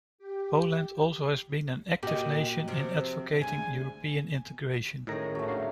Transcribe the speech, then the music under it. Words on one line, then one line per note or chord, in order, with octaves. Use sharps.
Poland also has been an active nation in advocating European integration.
G4
A#2 F#4 G4 D#5
C3 F3
D2 G#3 G#5
A2 D#3 C#4 G#4 A#5
D#1 F#3 A3
D4 F5 C7